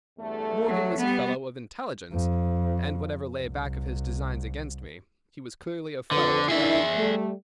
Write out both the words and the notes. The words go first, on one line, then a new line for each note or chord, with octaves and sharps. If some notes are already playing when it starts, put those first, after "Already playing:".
Morgan was a fellow of intelligence and, whatever lay back of his designs against me, he was clearly a foe to reckon with.
E2 G2 A3
F#3
G3 B3
F2
C2
F2 D3 B4
D#3 D4 E4 G#4 E5
G3 A3